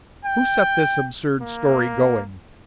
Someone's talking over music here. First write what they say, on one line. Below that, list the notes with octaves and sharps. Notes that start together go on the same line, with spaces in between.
"Who set this absurd story going?"
G5
A#3